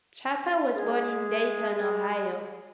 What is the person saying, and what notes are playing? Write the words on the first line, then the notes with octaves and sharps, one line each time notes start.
Chapa was born in Dayton, Ohio.
G#3 G#4